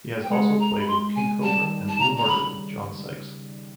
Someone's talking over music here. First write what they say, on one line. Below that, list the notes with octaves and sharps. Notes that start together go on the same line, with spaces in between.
He has also played with King Kobra and Blue Murder with John Sykes.
G5
G#3 F#5
A#5
B5
C6
G#5
G3 A5
D#3
A5
C#3 A#5
A#5
B5